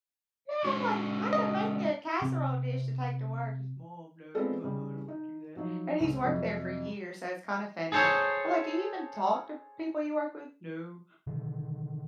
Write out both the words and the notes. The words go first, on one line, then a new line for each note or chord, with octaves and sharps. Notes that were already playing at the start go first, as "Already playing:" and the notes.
Yeah, I'm like, "I could make you a casserole dish to take to work." He's, "Mom, no, uh-uh, I don't wanna do that." And he's worked there for years, so it's kinda funny. I'm like, "Do you even talk to people you work with?" "No."
G#3 C#4 F#4
D#5
C3 C4
G#3 B3 C4 F4 A4 D5
C#3 G3
D#4
F3 F#3 D#4
C#2
F2 C3 F#3
G#4 A4 C5 C#5
B2 D3 D#3